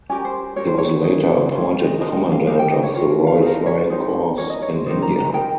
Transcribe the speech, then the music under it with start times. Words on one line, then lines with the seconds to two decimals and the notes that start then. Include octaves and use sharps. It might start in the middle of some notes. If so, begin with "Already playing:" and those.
He was later appointed Commandant of the Royal Flying Corps in India.
0.09 C#4 G4 A#4 G#5
0.25 C5
0.56 C#4 G4 A#4 C#5
0.67 C5
0.78 C#5
1.04 D#4 G#4
1.51 C#4 F4 G#4 C5
1.84 D#5
2.00 F4 A#4 D#5
2.16 G5
2.32 F5
2.47 D#4 G4 A#4 F5
2.59 G5
2.72 D#5
2.83 C#5
2.95 F4 A#4 C#5
3.27 F5
3.42 D#4 A#4 F5
3.66 C#5
3.90 D#4 G4 A#4 C5
4.38 C#4 F4 A#4 C#5
4.50 D#5
4.62 C#5
4.74 C5
4.86 D#4 G4 A#4 C5
5.02 A#5
5.18 A#5
5.33 D#4 A#4 G5